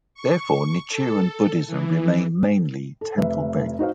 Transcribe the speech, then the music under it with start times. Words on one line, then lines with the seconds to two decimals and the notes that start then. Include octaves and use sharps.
Therefore, Nichiren-Buddhism remained mainly temple-based.
0.14 C#6
0.89 A4
1.67 E3
3.01 A4
3.17 F1 B4 E5
3.79 D#4 F#4 C5 F5